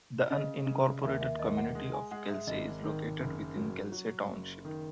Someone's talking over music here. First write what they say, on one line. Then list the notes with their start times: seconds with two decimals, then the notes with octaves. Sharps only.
The unincorporated community of Kelsey is located within Kelsey Township.
0.20 C#5
0.30 C#3 D#5
0.67 C#3
1.03 D#2 E5
1.21 E5
1.39 D#2 D#5
1.57 F#5
1.75 G#3
1.93 G#5
2.11 G#3 F#5
2.29 E5
2.47 G#1 D#5
2.83 D#3
3.20 F#1
3.56 F#3
3.92 F#3
4.28 F#1
4.65 D#3